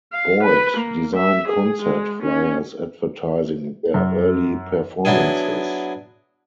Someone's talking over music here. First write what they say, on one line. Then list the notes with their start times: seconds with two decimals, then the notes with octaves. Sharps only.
Boyd designed concert fliers advertising their early performances.
0.13 F5
0.43 B4
0.77 A#3
1.16 E5
1.48 G#4
1.82 G#3
2.22 C#4
3.94 F#2
5.05 F#3 B3 D4 E4 G#4